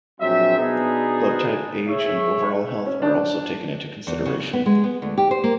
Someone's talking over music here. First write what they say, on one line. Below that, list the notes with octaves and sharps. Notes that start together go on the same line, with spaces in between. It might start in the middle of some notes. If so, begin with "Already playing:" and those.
Blood type, age, and overall health are also taken into consideration.
A#1 F#3 G3 C4 G#4 E5
B2 B3 D4 D#4 G#4
G#4 C#5 E5
C#4
D4
E2
C#3
C#3
B3
G#3
B3
D2
G4
C5
A#3